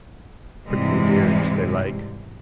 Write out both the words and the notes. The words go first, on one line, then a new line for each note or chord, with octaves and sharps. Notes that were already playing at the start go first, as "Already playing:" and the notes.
Prickly beards they like.
G#2 C3 E3 G3 G#3